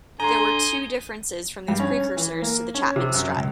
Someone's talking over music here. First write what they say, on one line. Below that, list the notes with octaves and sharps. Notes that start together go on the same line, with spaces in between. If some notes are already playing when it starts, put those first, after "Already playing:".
There were two differences from these precursors to the Chapman strut.
D3 G#5 A#5 C6 D#6 G6
G2
C#4
E3
A#3
C#4
C3
F#2
C#2